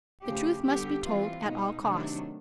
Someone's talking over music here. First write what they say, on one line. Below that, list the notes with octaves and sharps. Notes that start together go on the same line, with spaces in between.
The truth must be told at all costs.
C#3 F3 A3 G4
D3 G3 B3 G4
E3 G3 C4 F4
B2 G#3 B3 D#4
C3 D#3 F#3 A3 D4